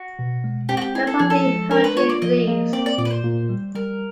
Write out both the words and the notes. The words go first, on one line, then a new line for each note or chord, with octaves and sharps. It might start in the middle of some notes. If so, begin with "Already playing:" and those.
The party hurriedly leaves.
Already playing: F#4
B2
G#3
C4 G4
F#4
G4
E4 G#4
A4
F3 G#4
A4
G#3
D4 A#4
B4
F4 C#5
D5
F3 D#5
A#3
C4 D5
D5
A#2 D5
B4
C5
A#2
G3
G3 A#4